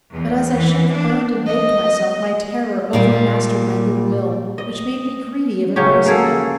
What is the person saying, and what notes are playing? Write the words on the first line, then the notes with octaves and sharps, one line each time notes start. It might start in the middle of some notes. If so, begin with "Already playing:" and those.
But as I should have burned and baked myself, My terror overmastered my good will, Which made me greedy of embracing them.
E2
E3
D4
D#5
A#2 G3 A#3
D#5
C#3 F#3 C#4 G4
A#3 G#4 A4